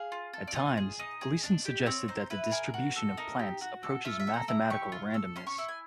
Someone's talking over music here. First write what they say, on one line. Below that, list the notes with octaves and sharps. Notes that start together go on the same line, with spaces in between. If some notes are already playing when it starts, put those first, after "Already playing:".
At times, Gleason suggested that the distribution of plants approaches mathematical randomness.
Already playing: G#4 F5
F4
A4
D5
F4 D#5
G#4
D#4 D#5
G#4
D4
G4
C4 C#5
D#4 C5
E4 B4
G#4 A#4
F#4
A4
D#4 A#4
G4
F#4
A4
F4 E5
E5
A4
A#5
E4 A#5
G4 C#6
F4
A4
C#4 C6
C#6
E4 C#6
G#5